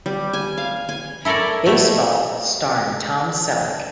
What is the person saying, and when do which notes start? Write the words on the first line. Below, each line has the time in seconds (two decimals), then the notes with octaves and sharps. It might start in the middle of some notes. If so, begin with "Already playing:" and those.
Baseball starring Tom Selleck.
0.06 G3
0.33 G#5
0.58 F5
0.89 G#5
1.25 E4 A4 A#4 C#5 D5
1.66 B2 A3 E4